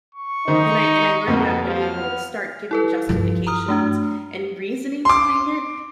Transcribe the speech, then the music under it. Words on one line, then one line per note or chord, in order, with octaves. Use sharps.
and I and I learned that when you start giving justifications and reasoning behind it,
C#6
D#3 D#4 C5
F2 B2 A#3
F3 F6
B3
E4 A4 B4
G2 F3
A#5 D#6 F6
A3 D4 F#4
C6 D6